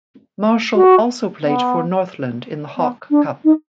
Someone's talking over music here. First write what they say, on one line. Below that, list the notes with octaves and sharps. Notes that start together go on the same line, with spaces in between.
Marshall also played for Northland in the Hawke Cup.
F#4
B3
B3
D4
D#4